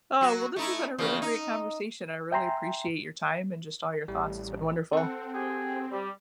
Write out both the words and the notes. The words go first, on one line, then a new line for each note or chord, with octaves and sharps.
well, this has been a really great conversation. I really appreciate your time and just all your thoughts. It's been wonderful.
F#3 F#4
A3 D#4 E4
E2 C#3 F3
D#4
E5 G5 G#5 A#5 C6
A1 G3
C4 A4 F#5
G4 G#4 G5
G3